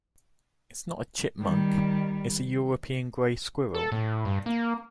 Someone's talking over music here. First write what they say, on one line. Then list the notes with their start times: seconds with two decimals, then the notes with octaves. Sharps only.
It's not a chipmunk: it's a European grey squirrel.
1.40 D#3 G3
3.74 A4
3.92 A2
4.25 G2
4.46 A#3